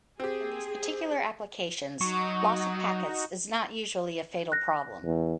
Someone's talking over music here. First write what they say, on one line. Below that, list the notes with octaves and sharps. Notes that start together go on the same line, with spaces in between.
In these particular applications, loss of packets is not usually a fatal problem.
C4 G4 G#4
F#3 D#4 F#4 C#6
F#6 A#6
E2